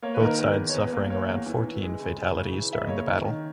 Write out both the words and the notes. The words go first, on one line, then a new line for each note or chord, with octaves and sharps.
Both sides suffering around fourteen fatalities during the battle.
A#3 C#5
B4
D#3 A#4
E2 B4
E2
C#5
E2 B4
A#3
A#3 C#5
E2
E3
E3
G#3
C#3
C#3
C#3
E3
C#3 E5
D#5
A#3 C#5
D#3
D#3